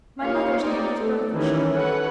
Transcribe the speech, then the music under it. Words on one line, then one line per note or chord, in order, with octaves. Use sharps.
My mother's name was Bertha Shirley.
A#3 D#4 F4 G4 C#5 F5
C4 D#4 G4 C#5 D5
A3 A4
D#3 E3 C#4 G4
A4 B4 C#5 F#5